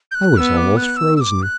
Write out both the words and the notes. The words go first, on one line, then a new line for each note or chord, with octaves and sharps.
I was almost frozen.
G6
F#6
B3 E6
D6
F#6
E6
E6
D6
F#6